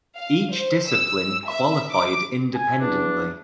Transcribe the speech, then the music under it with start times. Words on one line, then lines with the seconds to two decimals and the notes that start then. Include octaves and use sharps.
Each discipline qualified independently.
0.18 F5
0.52 C5
0.86 E6
1.48 E5
1.91 D6
2.55 G#5
2.81 E2 D4